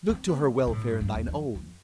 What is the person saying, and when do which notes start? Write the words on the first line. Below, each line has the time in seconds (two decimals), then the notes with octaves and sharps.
Look to her welfare and thine own.
0.09 C4
0.28 B3
0.46 D3
0.59 C3
0.67 B2
0.73 A2
0.87 G2
1.01 G2
1.15 E2
1.28 F2
1.55 F2